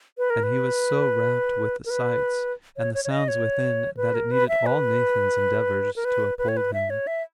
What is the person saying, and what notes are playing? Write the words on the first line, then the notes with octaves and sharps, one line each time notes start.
And he was so rapt with the sights and the sounds within, that it needed all Nathan's endeavors to uphold him.
B4
A#4
B4
A#4
B4
C#5
C#5
C#5
D#5
C#5
B4
A#4
B4
E5
B4
A#4
B4
B4
C#5
B4
E5
C#5
E5